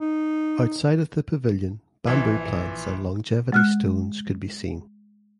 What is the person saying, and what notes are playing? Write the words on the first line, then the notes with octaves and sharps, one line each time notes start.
Outside of the pavilion bamboo plants and longevity stones could be seen.
D#4
A#1 E3
G#3 F6 F#6